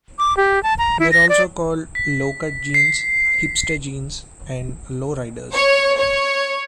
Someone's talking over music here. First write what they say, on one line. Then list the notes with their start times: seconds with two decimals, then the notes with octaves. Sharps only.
They are also called "lowcut jeans", "hipster jeans", and "lowriders".
0.18 D6
0.37 G4
0.63 A5
0.78 A#5
0.99 E4
1.11 A#6
1.29 D5
1.95 B6
2.74 C7
5.53 C#5
5.98 C#5